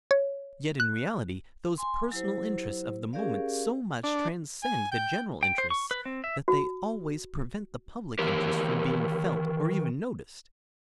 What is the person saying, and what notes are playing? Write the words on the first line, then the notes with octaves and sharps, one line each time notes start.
Yet in reality those personal interests of the moment so much transcend the general interests that they always prevent the public interest from being felt or even noticed.
C#5
F#6
G#5 C6
F#3 E4 G4 C5
C#4 G4 G#4 A#4 D5 F5
D4
G#5
G5
G5
C5
C#6
B4
C4
E5
F#4
D#3 E3 G4 A#4